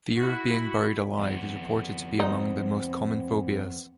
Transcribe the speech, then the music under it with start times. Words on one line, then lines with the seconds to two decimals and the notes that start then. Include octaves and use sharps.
Fear of being buried alive is reported to be among the most common phobias.
0.19 E4 F#4 B5
1.19 F2 B3
2.20 C4 D#4